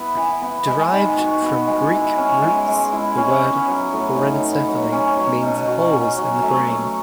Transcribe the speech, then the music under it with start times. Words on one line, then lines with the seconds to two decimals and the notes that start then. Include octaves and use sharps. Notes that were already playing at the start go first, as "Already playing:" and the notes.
Derived from Greek roots, the word "porencephaly" means 'holes in the brain'.
Already playing: B3 E4
0.17 E3
0.42 B3
0.67 G#3
0.93 D#3
1.18 F#4
1.42 B3
1.67 G#3
1.92 E4
2.18 C#4
2.42 G#3
2.67 G#3
2.92 E4
3.17 C#4
3.42 B3
3.67 F#3
3.92 A2
4.18 D#4
4.43 B3
4.68 F#3
4.92 C#4
5.17 F#3
5.43 B2
5.67 F#4
5.93 C#4
6.17 F#3
6.42 A3
6.68 F#3